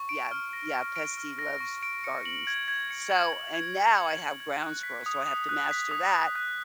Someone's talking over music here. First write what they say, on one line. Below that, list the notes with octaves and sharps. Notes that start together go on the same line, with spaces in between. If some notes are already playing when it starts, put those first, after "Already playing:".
Yeah, yeah, pest he loves f gardens. So, and now I have ground squirrels so I have to master that,
Already playing: C#6
D7
F6
A#6
C#6
D7
F6
A#6
C#6
D7
C#7
F#7
G#6
G#6
C#7
F#7
G#6
G#6
C#7
F#7
G#6
G#6
F#6
B6
D#6
D#6
F#6
B6
D#6
D#6
F#6